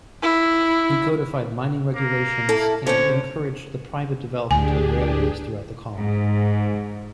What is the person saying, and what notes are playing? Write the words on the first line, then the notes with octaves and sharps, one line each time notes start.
He codified mining regulations and encouraged the private development of railways throughout the colony.
E4
A#3
E4 A4
D3 C#4 C5 C#5
D2 D4 G4 G#4 G#5
G#2